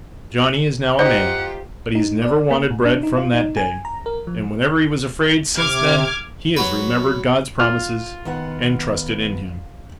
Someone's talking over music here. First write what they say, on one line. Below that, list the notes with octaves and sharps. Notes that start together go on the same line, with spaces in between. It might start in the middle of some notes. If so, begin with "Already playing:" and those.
Johnny is now a man, but he has never wanted bread from that day; and whenever he was afraid since then, he has remembered God's promises, and trusted in him.
D#4 F4 G4 C5 F#5
D#4
D5
A#3
A2
D4
D#4
F4
D#4
G#5
A#5
A#4
F3
C3 D6 F6 G#6
F#3 F#4 B4
F4 F6
D#3 B3 F#5